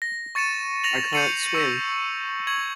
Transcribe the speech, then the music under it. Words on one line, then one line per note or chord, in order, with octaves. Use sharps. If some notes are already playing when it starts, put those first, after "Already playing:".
I can't swim.
A#6
C#6 A6 C#7 D#7 E7
A#6 F7 F#7
G6 C7 C#7 D#7 F#7
C#6 E6 C#7
C#6 G#6 F#7